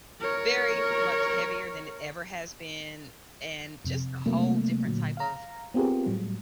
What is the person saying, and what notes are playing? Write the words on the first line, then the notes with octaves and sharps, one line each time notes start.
very much heavier than it ever has been, and just a whole different type of
A#4 C#5
F2 C3
C3 F#3 G3 A3 A#3
A#2 D3 F#3
F5 A#5
B3 C4 F4 G4 G#4 A#4
A2 F#3 G3